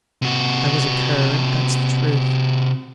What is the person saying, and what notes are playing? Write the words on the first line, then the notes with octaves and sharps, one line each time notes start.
I was a cur, that's the truth....
C3 F#4